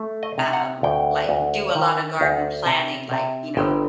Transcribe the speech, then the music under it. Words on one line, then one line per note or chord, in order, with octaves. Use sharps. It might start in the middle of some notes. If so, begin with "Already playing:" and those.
um, like, do a lotta garden planning, like, you know,
Already playing: A3
D#5
C3
F#5
D2 G5
D2
D#3
D2
C3 A5
C3
G1 G5